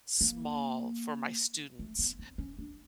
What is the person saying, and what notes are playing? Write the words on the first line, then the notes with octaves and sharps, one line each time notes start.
small for my students,
A#3
A3
B3
C4
C#4
D4